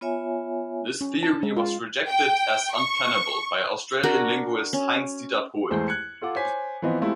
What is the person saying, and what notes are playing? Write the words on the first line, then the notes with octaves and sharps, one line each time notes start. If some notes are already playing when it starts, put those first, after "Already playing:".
This theory was rejected as untenable by Austrian linguist Heinz-Dieter Pohl.
B3 F4 C#5 E5 G#5
C#4
A5
G#3
F4
G5
C#6
D4 F#4 A#4 F#5
C#4
E2 G#3 A3 G#4 C5
F#6 G#6 C#7
F4 A4 F#5 D6
C5 C#5 G#5 B6
E3 F3 B3 C4 D#5
G#3 A3 C4 E4 F4 G4